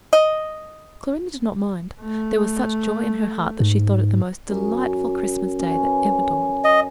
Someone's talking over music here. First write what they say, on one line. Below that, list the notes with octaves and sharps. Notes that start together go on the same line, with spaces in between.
But Clorinda did not mind; there was such joy in her heart that she thought it the most delightful Christmas Day that ever dawned.
D#5
A3
G#2
F#2
C#4 B4
D#5